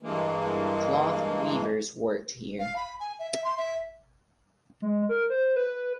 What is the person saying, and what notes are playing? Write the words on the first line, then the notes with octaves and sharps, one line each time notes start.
Cloth weavers worked here.
G2 E3 G#3 A#3
F5
B5
G#5
E5
E5
C6
E5
G#3
A#4
C5
B4